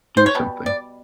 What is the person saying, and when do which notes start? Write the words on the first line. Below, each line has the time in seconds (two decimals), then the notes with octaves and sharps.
Do something!
0.17 C5
0.26 C#5
0.35 B2 G3
0.66 D5